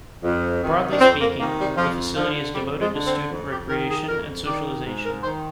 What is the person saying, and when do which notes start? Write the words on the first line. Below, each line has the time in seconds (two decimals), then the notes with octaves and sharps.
Broadly speaking, the facility is devoted to student recreation and socialization.
0.23 F2
0.63 C3 D#3
0.91 D4
1.00 F2 C4
1.20 A#3
1.39 C3 D#3 A#3
1.58 G3
1.77 F2 F3
2.16 D3 F3
2.54 F2 G3
2.80 G#3
2.93 D3
3.05 C4
3.31 F2
3.51 G4
3.69 D#3 A#4
3.89 G#4
4.08 F2 A#4
4.46 D#3 D5
4.85 G#2
5.05 A#4
5.23 D#3 C5